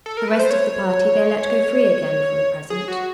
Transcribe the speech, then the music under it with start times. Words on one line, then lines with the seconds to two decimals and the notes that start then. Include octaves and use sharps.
The rest of the party they let go free again for the present.
0.06 A4
0.17 A#4
0.28 B4
0.39 C5
0.51 C#5
2.70 G#4
2.88 F#4